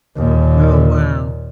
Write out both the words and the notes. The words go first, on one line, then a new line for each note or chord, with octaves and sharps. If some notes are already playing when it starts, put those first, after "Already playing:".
Oh, wow.
D#2 A#2